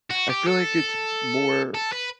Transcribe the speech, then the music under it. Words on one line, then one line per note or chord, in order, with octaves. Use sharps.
I feel like it's more
F#4
G4
A4
A4
B4